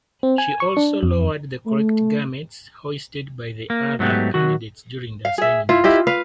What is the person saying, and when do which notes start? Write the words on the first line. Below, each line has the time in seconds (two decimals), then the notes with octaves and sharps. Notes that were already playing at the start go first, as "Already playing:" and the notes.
She also lowered the correct garments hoisted by the other candidates during the assignment.
0.23 C4
0.38 G#5
0.60 C#6
0.77 D4
1.03 F2
1.66 A3
3.70 A#3
3.99 G#2 F#3 A3 B3 G4
4.34 D#3 F#3 F#4
5.25 F5
5.38 G#4 E5
5.69 E4 F4
5.84 E4 G4 D#5
6.07 B4 F5